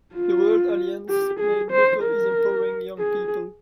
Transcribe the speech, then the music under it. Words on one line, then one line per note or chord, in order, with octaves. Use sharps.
The World Alliance's main motto is empowering young people.
F4
G4
G#4
C5
A#4
G#4